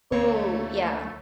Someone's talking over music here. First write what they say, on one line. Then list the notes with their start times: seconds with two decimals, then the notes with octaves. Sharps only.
Ooh, yeah.
0.12 D2 A#3 C4 C#5
0.34 A3